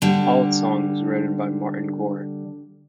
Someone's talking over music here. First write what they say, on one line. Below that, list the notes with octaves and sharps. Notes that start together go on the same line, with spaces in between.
All songs written by Martin Gore.
D3 G3